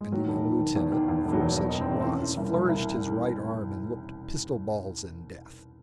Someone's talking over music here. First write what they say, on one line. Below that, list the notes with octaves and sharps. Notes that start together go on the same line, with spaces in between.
And the young lieutenant, for such he was, flourished his right arm and looked pistol-balls and death.
G#3
D#3 F#3
E1
D#3
D#3
E2
D#3
E2
E1
F#3
E2
E2
D#4
D#3
C4
E1 A3
C4
E3 C#4
E3
C2
C2
C2